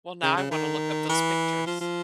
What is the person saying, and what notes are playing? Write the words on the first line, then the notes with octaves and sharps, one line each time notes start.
Well, now I wanna look up those pictures.
C#3
C#3
D#3
E3
F3
F3